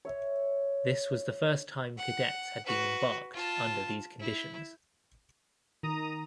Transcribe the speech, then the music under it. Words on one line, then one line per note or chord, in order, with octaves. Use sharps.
This was the first time cadets had been embarked under these conditions.
C#5 E5
F#5
F#4 B4
F4 A5
E4
D#3 A#5 D#6